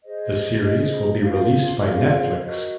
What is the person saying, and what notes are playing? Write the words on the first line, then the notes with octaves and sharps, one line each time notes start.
The series will be released by Netflix.
G#4 C5 D#5
G#4 C5 D#5
F4 G#4 C5 F5
F4 G#4 C5 F5
F#4 A#4 D#5